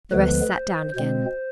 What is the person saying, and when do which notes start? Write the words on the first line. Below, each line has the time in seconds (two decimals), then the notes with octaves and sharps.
The rest sat down again.
0.11 D2 D3 F3 G#3 B3 B4
0.54 C5
0.95 B2 G#3 C4 C5